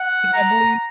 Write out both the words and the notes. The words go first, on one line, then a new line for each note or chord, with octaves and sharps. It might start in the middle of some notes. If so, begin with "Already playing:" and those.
I believe.
Already playing: F#5
A#5